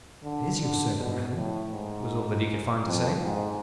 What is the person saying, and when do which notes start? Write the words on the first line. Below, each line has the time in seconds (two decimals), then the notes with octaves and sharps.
"It is your servant, madame," was all that he could find to say.
0.24 D3
0.61 D3
0.98 B2
1.36 A2
1.74 G#2
2.86 F2
3.23 G#2